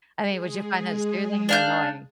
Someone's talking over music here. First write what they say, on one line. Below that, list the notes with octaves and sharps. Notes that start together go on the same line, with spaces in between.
I mean, would you find that soothing or annoying?
G#3 G#4
D4 F5 G6